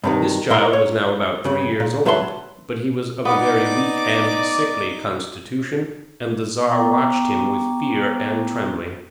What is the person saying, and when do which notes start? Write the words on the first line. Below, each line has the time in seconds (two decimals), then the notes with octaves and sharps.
This child was now about three years old, but he was of a very weak and sickly constitution, and the Czar watched him with fear and trembling.
0.04 G2 C3 D#3
0.50 A#2 A#3 E4 A#4 C6
0.73 C#5
1.45 G2 C#3
1.80 A#2
2.05 D2 F#3 B4 E5 A5 C6
3.25 B3 D#4 D5 D6
6.71 B3 G5 A#5 C#6 D6